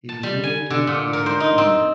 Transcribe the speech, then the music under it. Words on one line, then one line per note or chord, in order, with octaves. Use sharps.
He was named league player of the year.
A5
G3
G#5
D3
A#2
A#4
C5
D#4
C4